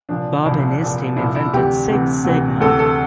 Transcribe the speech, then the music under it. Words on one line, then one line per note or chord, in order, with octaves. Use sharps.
Bob and his team invented Six Sigma.
C2 A#2 F3 D4
C2 A#2 F3 E4
C2 A#2 F3
C2 A#2 F3 E4
E4
D2 C3 E3 G4
D2 C3 E3
D2 C3 E3
D2 C3 E3 A4
A4